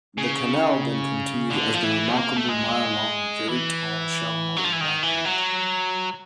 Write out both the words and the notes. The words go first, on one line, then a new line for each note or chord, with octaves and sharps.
The canal then continues as the remarkable mile-long very tall Shelmore Embankment.
C#3
D3
F3
E3
A#3
A3
G#3
E3
F#3
F3
E3
D#3
E3
F#3